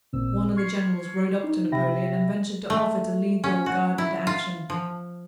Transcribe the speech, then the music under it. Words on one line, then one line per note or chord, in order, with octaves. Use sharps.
One of the generals rode up to Napoleon and ventured to offer to lead the Old Guard into action.
A1 A#2 C4 E6
C6 C#6 F6 G#6 C7 C#7
D#4
C3 G4 E5 G5 B5 A#6
A3
C#4
F#4
E4
F4
F3